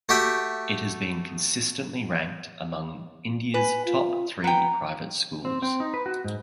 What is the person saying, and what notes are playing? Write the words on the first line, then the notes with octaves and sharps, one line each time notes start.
It has been consistently ranked among India's top three private schools.
A3 F#4 G4 E5 G5
B4 G#5
F4
B3 G5 A#5
C4
C4
D#4
B4
F#4
G#2